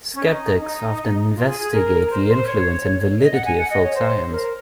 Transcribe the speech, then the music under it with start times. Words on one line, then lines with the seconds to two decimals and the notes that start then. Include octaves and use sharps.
Skeptics often investigate the influence and validity of folk science.
0.14 C#4
0.23 D#4
0.60 D#4
1.35 F4
1.47 G#4
1.60 G#4
1.72 A#4
2.09 C5
2.35 C5
2.46 C#5
3.21 D#5
3.33 F#5
3.45 G#5
3.58 F#5
3.70 D#5
3.82 C#5
3.95 C5
4.32 A#4